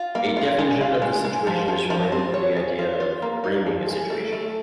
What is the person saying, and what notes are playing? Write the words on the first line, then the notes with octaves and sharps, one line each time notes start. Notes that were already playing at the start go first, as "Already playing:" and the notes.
A definition of the situation is related to the idea of "framing" a situation.
Already playing: F4
A#3
F4
G#3
F4
G#3
G#3
F3
F3
F3
C4
C#5
G#4
F4
F4
A#3
D#4
F3
G#4
A3
A3